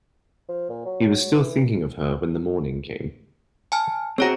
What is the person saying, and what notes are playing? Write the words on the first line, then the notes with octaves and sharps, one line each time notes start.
He was still thinking of her when the morning came.
F3
A#2
F#3
E3
G#5 A5 F6
C4 F#4 G#4 C#5 A#5